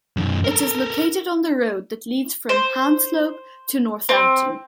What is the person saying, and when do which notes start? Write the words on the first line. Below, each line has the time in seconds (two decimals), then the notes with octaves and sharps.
It is located on the road that leads from Hanslope to Northampton.
0.17 F#2 D#3
0.44 A4 A#4
2.49 C5
4.09 C4